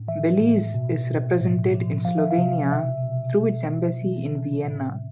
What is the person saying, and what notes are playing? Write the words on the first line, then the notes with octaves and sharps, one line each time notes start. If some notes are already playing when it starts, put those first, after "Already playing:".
Belize is represented in Slovenia through its embassy in Vienna.
Already playing: A2
E3 E5
A2
B2
B2
A2
F3
F3 F5
E5
F5
C3
B2 E5
B2
B2
B2
E3
C3
A2